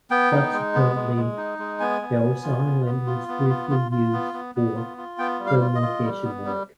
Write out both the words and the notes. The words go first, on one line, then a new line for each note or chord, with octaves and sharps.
Subsequently, Darrell's Island was briefly used for film location work.
B3 G5
D#4
G#3
B3
G#3
G#3
D#4
G#3
B3 G#5
B3
B3
F4
B3
B3
F4
B3
F4
F4
F4
B3
B3
B3
F4
F4
B3 G5
G3
F5
F4
D#5
F4
G3
B3
G3